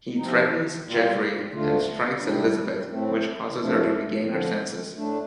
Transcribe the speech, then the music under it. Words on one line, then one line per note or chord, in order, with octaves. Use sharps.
He threatens Jeffrey and strikes Elizabeth, which causes her to regain her senses.
C3 F3 C4 D#4
A#2 G3 A#3 F4
D2 D3 A3 D4 F4
C3 G3 D4
A2 A3 C4
F2 C3 F3 A3 D4
D3 F3 C4
A2 A3 D4